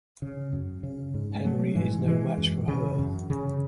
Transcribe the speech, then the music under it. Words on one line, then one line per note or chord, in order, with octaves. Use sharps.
Henry is no match for her.
C#3
F#2
C#3
G#2
G#3
F#3 A3
G#2 E3 G#3
E3 G#3
F#2
C#3
F#2
C#3